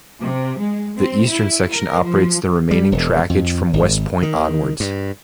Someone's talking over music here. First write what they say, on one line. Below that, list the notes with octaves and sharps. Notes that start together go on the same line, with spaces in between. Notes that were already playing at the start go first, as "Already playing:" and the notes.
The eastern section operates the remaining trackage from West Point onwards.
C3
G#3
C4
E4
A#4
F3
G3
E1
F2
G#1
D#3
G2